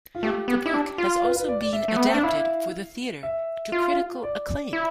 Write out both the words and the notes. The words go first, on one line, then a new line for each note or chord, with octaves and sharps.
The book has also been adapted for the theatre, to critical acclaim.
F4
A3 G4
B3
E4
D4
F4
B4
B4
D5
D5
E5
A3
B3
C4
D4
E4 F5
E5
F4
D5
E4